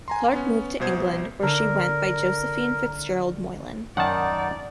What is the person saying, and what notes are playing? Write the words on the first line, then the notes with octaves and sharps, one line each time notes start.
Clarke move to England where she went by Josephine Fitzgerald Moylan.
G#5 A#5 C6
B3 C#4
C2 B2 C5 G#6
D3 A#4
F#2 D#3 D#4 D5 F#5 A5